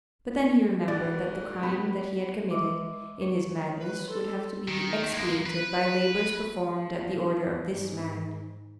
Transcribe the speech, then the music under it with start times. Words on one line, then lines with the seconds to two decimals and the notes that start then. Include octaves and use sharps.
But then he remembered that the crime that he had committed in his madness would have to be expiated by labors performed at the order of this man.
0.88 G#2 G3 F#4 A#4 D5
1.63 B3 G4 B5
2.51 G#3 E5 D6
3.21 C#5
3.79 B4
4.08 A4 C6
4.68 D#3
5.14 G#3 A#3
5.46 B4
6.69 F3
7.70 G#2